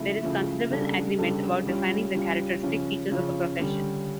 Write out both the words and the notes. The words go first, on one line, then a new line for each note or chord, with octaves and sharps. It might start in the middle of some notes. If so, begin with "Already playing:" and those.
There is considerable agreement about defining the characteristic features of a profession.
Already playing: C#3 F3 A3 E4
C#3 F3 A3 E4
C#3 G3 D4 A4
C#3 G3 D4 A4
G3 C#4 F4
G3 C#4 F4
C#3 F3 C#4
C#3 F3 C#4
D3 G3 C#4